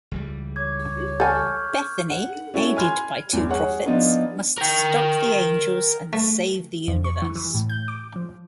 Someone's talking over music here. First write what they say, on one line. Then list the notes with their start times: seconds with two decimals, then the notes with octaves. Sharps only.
Bethany, aided by two prophets, must stop the angels and save the universe.
0.11 C#2 E3 G3
0.56 C#5 D6 G#6
1.20 A4 G#5 C#6 F6 G6
2.10 F#5
2.54 C#4 E4 F#4 A4 C#5
2.76 G#5 B5 C6 F6 G#6
3.33 G1 E2
3.49 G#4 C#5 F#5
3.86 F3 B3 D4 D#4 F4
4.58 A#4 G5
6.13 A3
6.88 F2
7.04 C#6
7.22 E3
7.36 E3
7.54 A2
7.69 G6
7.88 D6
8.16 F3